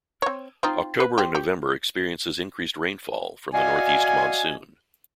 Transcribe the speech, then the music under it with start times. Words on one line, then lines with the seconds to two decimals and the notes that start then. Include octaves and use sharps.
October and November experiences increased rainfall from the Northeast monsoon.
0.22 C4 C#5
0.63 C4 D#4 F4
1.00 B4
1.18 C4 G4
1.35 G4
3.53 F#4 D5 D#5 F5 F#5 G#5